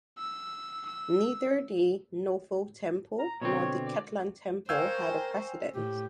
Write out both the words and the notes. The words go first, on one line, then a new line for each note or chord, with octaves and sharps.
Neither the Nauvoo Temple nor the Kirtland Temple had a president.
E6
E6
A#5
B2 D3 C4 C#5
D5
A#4 C5 F5 G5 G#5 C#6 E6
A2 G4